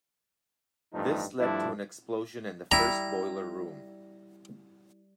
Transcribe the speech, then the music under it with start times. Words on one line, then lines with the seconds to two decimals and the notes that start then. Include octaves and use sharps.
This led to an explosion in the first boiler room.
0.92 A1 G2 F3 A3 D#4
1.39 G2 F3 A3 D4 E4
2.71 G3 E4 A#5